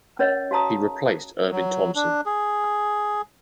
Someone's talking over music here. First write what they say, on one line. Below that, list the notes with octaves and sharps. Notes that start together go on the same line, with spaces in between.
He replaced Ervin Thomson.
C#4 A#4 C#5 D#5 F#5
F#4 F5 A5 A#5 D#6
F#3
D4
G#4